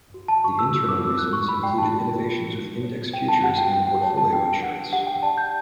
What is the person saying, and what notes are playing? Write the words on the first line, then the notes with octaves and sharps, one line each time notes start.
The internal reasons included innovations with index futures and portfolio insurance.
F#4
A5
F#4 C#6
E6
F#4 E6
D6
F#4 E6
F#6
F#4 C#6
B5
D5 G5
A5
F#4
F#4
F#4
C#5
F#4 G5
A5
F#4 F#5
G5
F#4 G5
G5
C#5 A5
A5
D4 G5
D4 F#5
G4 F#5
G5
D5 A5
G6